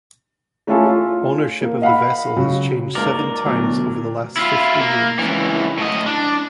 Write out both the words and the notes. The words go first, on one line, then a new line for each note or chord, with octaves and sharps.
Ownership of the vessel has changed seven times over the last fifty years.
A3 C#4 E4 F4 G#4 A4
F4
A#3
D#5 F5 F#5 B5
C#3 F#3
C#2 G#2 A#3 A#4 D5
D2 B2 F#3
E4 F4
A#3
C#2 E3
A2 D#5
D4